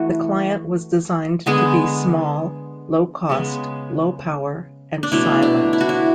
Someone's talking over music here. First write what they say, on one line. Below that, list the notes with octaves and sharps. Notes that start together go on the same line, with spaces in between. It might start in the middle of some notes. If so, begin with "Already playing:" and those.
The client was designed to be small, low cost, low power, and silent.
Already playing: E3 A3 F#4
D3 G#3 B3 G#4
C#3 G#3 B3
D4
B2 F#3 A3 E4
D4
E4
F#4
E4